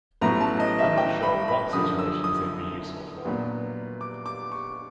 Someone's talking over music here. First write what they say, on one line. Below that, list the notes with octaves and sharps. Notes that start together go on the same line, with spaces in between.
I'm not sure what situations they'd be useful for.
A1 A2 F#3 B3 A#5
A5
D#5
E5
G5
B5
B5
F#2 D3 F3 D#6
E6
D#6
A#2 F#3 B3 D4
D6
D6
C#6